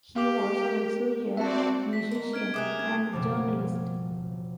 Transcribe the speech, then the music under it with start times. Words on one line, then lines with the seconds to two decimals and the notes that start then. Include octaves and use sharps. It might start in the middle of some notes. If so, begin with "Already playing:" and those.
He was also a musician and journalist.
0.16 G4 F5 D6
0.62 A#4
1.37 C4 F#4 D5 E5 A5
1.93 B6
2.11 G#2 A#4
2.33 F6 G#6 D7
2.54 C3 G#4 A#4 D6 D#6 F#6
2.79 G#6
3.12 F#1 B2 F3 D6